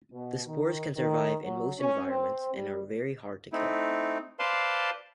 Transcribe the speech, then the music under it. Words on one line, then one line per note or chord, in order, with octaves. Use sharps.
The spores can survive in most environments and are very hard to kill.
B2
D#3
D#3
F#3
C#4
C4
G3
A3 C4 D#4 E4
B4 C5 D5 F5 A5 C6